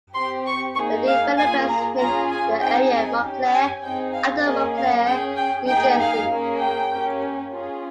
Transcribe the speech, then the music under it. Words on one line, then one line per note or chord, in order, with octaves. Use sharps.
The developers named the area Montclare, after Montclair, New Jersey.
C4 G4 C6
C#6
A#3 D#4 G#4 C#6
F5
A#3 F4 G#4 G#5
A#5
C#4 F4 G#4 A#5
G#5
C4 D#4 G#4 G5
G#5
C#4 G4
G#5
C4 D#4 G#4 G5
F5
A#3 C#4 G#4 D#5
F5
C#4 G#4 G5
G5
A#3 D#4 G#4 G5
F5
A#3 C#4 G#4
G5
A#3 C#4 G4
C#4 F4 G#4